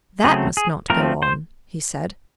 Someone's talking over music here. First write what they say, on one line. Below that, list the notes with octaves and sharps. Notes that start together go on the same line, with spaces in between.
"That must not go on," he said.
C#3 F#3 A3 C4 G#4
G#4
F3 A3 C4 A#4
C5